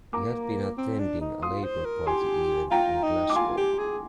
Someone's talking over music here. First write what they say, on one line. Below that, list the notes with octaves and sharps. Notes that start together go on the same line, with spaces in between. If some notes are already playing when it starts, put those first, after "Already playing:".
He had been attending a Labour Party event in Glasgow.
A#3 A#5 D6
C4
D4
D#4
F4 C6 D#6
C5
A#4
G4 G#5 C6
F4 G5 A#5
D#4
D6
F4 G#5 C6
G4
G#4